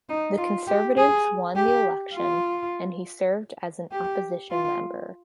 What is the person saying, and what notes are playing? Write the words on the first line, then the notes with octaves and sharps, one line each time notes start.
The Conservatives won the election, and he served as an opposition member.
D#4
F4
G4
G#4
G4
F4
G4
F4